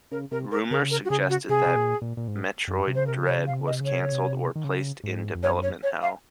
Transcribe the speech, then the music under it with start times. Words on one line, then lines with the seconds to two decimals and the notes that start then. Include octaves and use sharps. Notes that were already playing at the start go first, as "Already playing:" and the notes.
Rumors suggested that "Metroid Dread" was cancelled or placed in development hell.
0.12 C#3 A#4
0.31 C3 A#4
0.51 A#4
0.71 C#3 A#4
0.91 A#4
1.05 F#4
1.10 C#3 G#4
1.30 F#4
1.49 C3 G#4
1.66 C3
1.75 A#2
2.02 A#2
2.17 A#2
2.28 G#2
2.68 F#2
2.87 C3
2.95 C#3 C5
3.06 C3 A#4
3.18 C#3
3.26 C3 C#5
3.39 C#3
3.47 F5
3.50 C3
3.60 C#3
3.66 D#5
3.71 C3
3.81 C#3 C#5
3.91 C3
4.01 C#3
4.12 C3
4.56 D#3
4.64 C#3
5.04 G#2
5.35 F2
5.43 F#2 C#5
5.63 C#5
5.83 C#5
6.02 F5